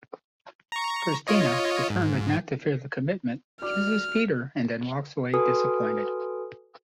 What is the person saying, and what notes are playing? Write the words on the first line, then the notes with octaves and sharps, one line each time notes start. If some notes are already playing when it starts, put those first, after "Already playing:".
Christina, determined not to fear the commitment, kisses Peter and then walks away disappointed.
A#5 C#6
F4 C#5 D#5
G#2
F#4 D5 D6 F6
F#4 A4 B4 G#5 D#6